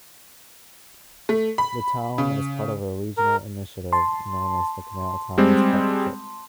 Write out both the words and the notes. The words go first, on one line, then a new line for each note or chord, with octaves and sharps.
The town is part of a regional initiative known as the Canal Towns Partnership.
A3
B5
C#3
A#4
A5 C6
G3 G#3 C4